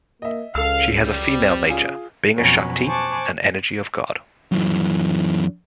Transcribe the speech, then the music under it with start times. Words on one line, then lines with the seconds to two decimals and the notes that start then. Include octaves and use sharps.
She has a female nature, being a shakti, an energy of God.
0.22 A#3 D#5 E5
0.55 C#2 C#3 A4 F5 E6
0.96 G3
1.32 C4
1.70 C#3 F4 G#4
2.36 F2 B2 F#3 C#4
2.86 C5 G#5 A5 C#6 D6 F#6
4.52 F#2 E3